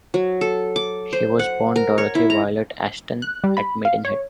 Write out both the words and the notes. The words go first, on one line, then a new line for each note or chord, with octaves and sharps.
She was born Dorothy Violet Ashton at Maidenhead.
F#3
A4
D6
C5
F#5
A#4
C#5
E4
A#5
F#6
G3
B5
F5
C#5